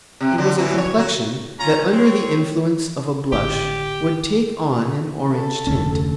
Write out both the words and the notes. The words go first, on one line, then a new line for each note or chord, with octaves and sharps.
It was a complexion, that under the influence of a blush would take on an orange tint.
C3
D3 F#3
A2 E3 F#3
C#5
F#3
C#4 F4 A#5
C4 C#5
G#1 A2 D3 G4
A4
F1 D2 C#4